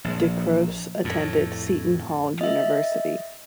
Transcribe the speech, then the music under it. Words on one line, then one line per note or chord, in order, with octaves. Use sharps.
DeCroce attended Seton Hall University.
A#1
F2 A2
D#5 E5